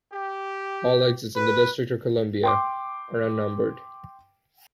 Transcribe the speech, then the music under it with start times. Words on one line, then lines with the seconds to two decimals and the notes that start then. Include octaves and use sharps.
All exits in the District of Columbia are unnumbered.
0.13 G4
1.35 B4
2.43 G5 C6 D6